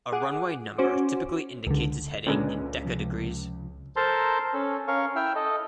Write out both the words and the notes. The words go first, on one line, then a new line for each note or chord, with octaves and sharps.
A runway number typically indicates its heading in decadegrees.
G#4 F#5 D6
C#4 F#4 C5 D6
C#2 D3
C#2 A#2 D3 G#3 C#4 B4
C3 F3
A4 A#4 C5 A5 A#5 C6
C#4 A4
C#4 A#4 F5 C#6
E4 E5 G5 E6 F6
A4 D#5